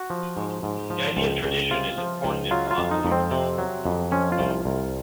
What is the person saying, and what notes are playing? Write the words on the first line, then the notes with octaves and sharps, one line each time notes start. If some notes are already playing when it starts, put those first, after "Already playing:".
The idea of tradition is important in philosophy.
Already playing: F#4
F3
G#2
G#2
F3
C#2
C#2
C3 F4
F3
C#2
F#3 F4
F4
F2
D#4
F2
C4
C3
F#3
F2
F3 C#4
F4
C2
C2